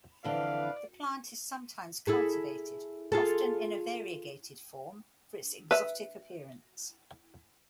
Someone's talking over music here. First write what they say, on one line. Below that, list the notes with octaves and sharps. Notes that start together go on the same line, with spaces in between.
The plant is sometimes cultivated, often in a variegated form, for its exotic appearance.
F2 D3 E3 B4 D5 F5
E4 G#4 A4
F4 G#4 A4
B4 E5